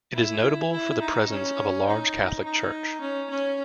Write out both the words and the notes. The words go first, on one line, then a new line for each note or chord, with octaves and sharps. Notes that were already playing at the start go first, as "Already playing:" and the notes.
It is notable for the presence of a large catholic church.
E4
E4
D#4
C#4
D#4
D#4
C#4
C#4